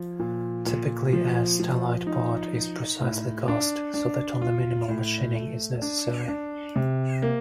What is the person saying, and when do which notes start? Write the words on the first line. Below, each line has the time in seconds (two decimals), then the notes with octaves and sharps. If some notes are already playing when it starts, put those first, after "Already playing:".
Typically, a Stellite part is precisely cast so that only minimal machining is necessary.
Already playing: F3
0.19 A#2
0.66 A#2
1.13 F3
1.60 F3
2.07 D#4
2.54 D#4
3.01 A2
3.48 D4
3.94 D4
4.42 F4
4.88 A2
5.35 A3
5.82 D4
6.28 D4
6.76 C3
7.22 A#3